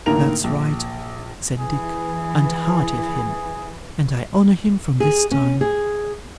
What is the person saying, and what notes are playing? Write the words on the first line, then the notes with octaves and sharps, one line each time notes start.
'That's right!' said Dick; 'and hearty of him; and I honour him from this time.
A1 D3 D#3 A#3 A#4 F7
A#1
E3 G#4
G#4
C#4
G#4